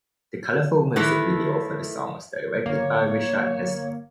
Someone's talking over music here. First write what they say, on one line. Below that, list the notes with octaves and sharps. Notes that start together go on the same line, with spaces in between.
The colorful music video for the song was directed by Richard Heslop.
D#3 E3 A3 E4
G1 A#3 C#5